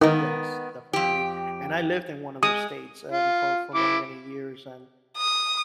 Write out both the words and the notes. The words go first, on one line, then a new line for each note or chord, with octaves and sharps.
Yes, definitely, and I lived in one of those states and for for many many years, and,
D#3 B3 D#4 A#4
F2 G4
G#3 D#6
F4
E4 D6
D#6